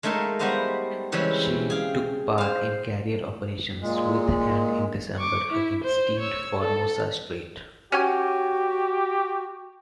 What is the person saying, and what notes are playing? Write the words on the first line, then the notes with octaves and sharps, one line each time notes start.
She took part in carrier operations with and in December again steamed Formosa Strait.
G#3 A3 D#4 A#4 E5 F5
G3 B3 F#4 C5 D#5 F5
C#3 E3 G3 G#3 C4 C#4
G#4 F5 G5
C5 F5
A#2 G#3
C#6 D6
E4
C5
C#5 E6
A4
C#4 F#4 G4 C#5 G#5